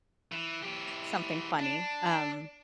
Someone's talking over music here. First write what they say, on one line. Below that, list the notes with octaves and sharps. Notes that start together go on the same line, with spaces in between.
something funny, um,
E3
E3 G4
D4